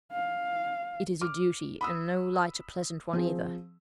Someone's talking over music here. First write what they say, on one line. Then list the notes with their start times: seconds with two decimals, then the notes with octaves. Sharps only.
It is a duty--and no light or pleasant one, either.
0.12 F5
1.21 D6 F6
1.81 B5 D#6 E6
3.13 F3 C4 G#4